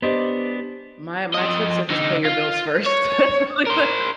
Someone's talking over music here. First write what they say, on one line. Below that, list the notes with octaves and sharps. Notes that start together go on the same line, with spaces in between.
My My tips are just pay your bills first. That's probably the
B3 D4 G4 C5 D#5
F3 D#5
D3 D#4
F4
C#5
A#4 C5